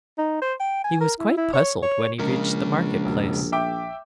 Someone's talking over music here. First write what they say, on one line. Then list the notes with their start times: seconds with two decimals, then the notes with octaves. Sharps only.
He was quite puzzled when he reached the market-place.
0.18 D#4
0.42 C5
0.60 G5
0.84 G#5
1.01 A#4
1.19 E4
1.37 E4
1.53 C#5
1.83 C#5
2.19 A#1 C#3 G#3 C#4 A#4
3.05 E1
3.52 E5 G5 D6